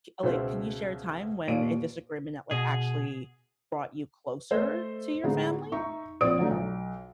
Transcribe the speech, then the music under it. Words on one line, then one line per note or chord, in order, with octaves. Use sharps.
j uh, like, can you share a time when a disagreement that like actually brought you closer to your family?
C#2 B2 C5 E5
D#2 A#2 D5 F5 D7
B2 G#4
A3 A4 C5 D#5 E5
A2 D3 G#3 B3 D#4
D#4 E5 C#6
A#1 C4 D5 D#6 D7
D3 F#3 A3 D4 D#4
B1